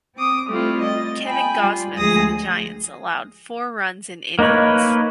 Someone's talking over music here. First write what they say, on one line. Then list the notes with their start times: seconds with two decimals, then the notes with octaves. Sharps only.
Kevin Gausman for the Giants allowed four runs in innings.
0.16 C4 D6 D#6
0.48 G3 A3 C4 E4 F4
0.81 D#5 A6
1.27 G5 G#5 B5
1.58 G3 F4
1.97 D2 F3 G#3 G#4 D#6 A#6
4.39 A#3 D#4 A#4 B4 C#5